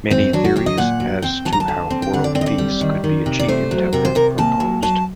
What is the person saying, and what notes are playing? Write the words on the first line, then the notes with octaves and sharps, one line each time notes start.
Many theories as to how world peace could be achieved have been proposed.
F#2 C4
F#3 D4
F#4
F#3 G4
D#5
A#2 F#5
F#3
C4 G5
F#3 A5
A#5
A5
D3
C4
G5
D3 F#5
D5
C4 D5
D#5
D5
G3
D#3
D#3
C3
D5
A3 C5
F#3
C3 A#4
C5
C3 A#4
A#2 A5
F#3
F#3 A5